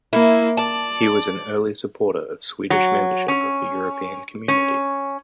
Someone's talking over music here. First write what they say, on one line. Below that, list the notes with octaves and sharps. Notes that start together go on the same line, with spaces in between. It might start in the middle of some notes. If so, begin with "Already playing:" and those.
He was an early supporter of Swedish membership of the European Community.
A#3 E4
D5 A5
F#3
C#4
C#4